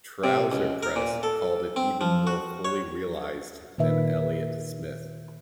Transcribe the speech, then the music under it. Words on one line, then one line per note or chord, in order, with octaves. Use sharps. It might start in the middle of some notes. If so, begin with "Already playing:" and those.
"Trouser Press" called it "even more fully realized" than "Elliott Smith".
C3
C#2
A#4
A#2
A4
C4
F3
F#4
C#5
A#2 D#3 B4 E5